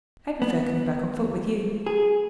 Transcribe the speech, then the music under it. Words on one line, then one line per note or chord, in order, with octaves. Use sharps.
"I prefer coming back on foot with you."
B3
G#4